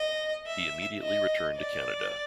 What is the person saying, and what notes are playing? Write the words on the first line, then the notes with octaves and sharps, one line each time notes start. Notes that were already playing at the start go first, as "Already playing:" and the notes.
He immediately returned to Canada.
Already playing: D#5
E5
D#5
D5